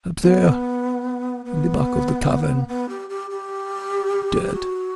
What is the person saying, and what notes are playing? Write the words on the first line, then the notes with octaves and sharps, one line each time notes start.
"Up there--in the back of the cavern--dead!"
B3
B3
B3
G4
G4
G4
F#4